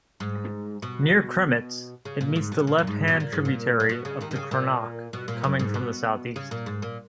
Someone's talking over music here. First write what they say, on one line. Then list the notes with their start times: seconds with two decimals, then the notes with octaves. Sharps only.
Near Kremitz it meets the left-hand tributary of the "Kronach" coming from the southeast.
0.20 G#2
0.82 B2
2.05 C#3
2.21 A#2
2.36 G#2
2.52 B2
2.67 A#2
2.78 F#2
2.87 G#2
3.08 B2
3.20 A#2
3.32 G#2
3.45 A#2
3.80 A#2
3.89 B2
4.05 C#3
4.21 D#2 D#3
4.31 D#3
4.36 C#3
4.51 A#2
5.13 B2
5.28 A#2
5.44 F#2
5.59 G#2
5.74 B2
6.36 C#3
6.51 A#2
6.66 G#2
6.82 A#2